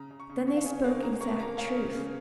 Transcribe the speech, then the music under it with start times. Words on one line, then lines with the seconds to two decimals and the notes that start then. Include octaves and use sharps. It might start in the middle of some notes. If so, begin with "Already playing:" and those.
Then they spoke exact truth.
Already playing: C#3 A#5
0.11 C#3
0.20 C#6
0.30 C#3
0.47 C#4 C#6
0.57 F5
0.66 C#3 G#5
0.84 A#3 F5
1.02 C#3 A#5
1.21 A#3 C#6
1.39 A#3 A#5
1.58 C#4 F5
1.76 C#3
1.94 C#3